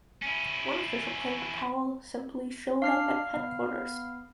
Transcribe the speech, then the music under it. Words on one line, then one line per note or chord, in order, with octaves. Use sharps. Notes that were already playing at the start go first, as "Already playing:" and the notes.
One official claimed Powell "simply showed up at headquarters".
C#4 E4
D4 F5 F6 C7
B3